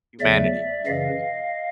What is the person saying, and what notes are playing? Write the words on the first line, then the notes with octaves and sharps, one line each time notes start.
humanity more than anything
E2 C#3 F#3 A3 D5 E5
F#2 C#3 E3 D#5 F5